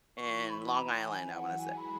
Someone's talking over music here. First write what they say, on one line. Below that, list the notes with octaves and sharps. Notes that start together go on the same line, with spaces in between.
in Long Island, I wanna say
E3 E4 C#6
C#6
B5
A#5
E3 E4 G#5
F#3 F#4 F#5
G#3 G#4 G#5
B5